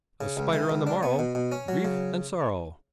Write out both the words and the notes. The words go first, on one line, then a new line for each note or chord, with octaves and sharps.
"A spider on the morrow: grief and sorrow."
C#3
C#2
E3
C#2
D4
B3
B2
B2
C#4
F#3
C#3